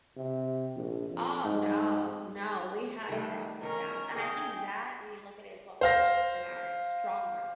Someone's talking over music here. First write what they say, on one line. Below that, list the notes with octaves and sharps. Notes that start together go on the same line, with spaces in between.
Oh, no, no, we had our ups and downs, and I think that, when you look at it is what makes the marriage stronger,
C3
A#1
F2
G#2
D#3 G3 A3
D#3 C#4 A#4
G#4 A4 D#5 F#5 G5
C5 F5 A#6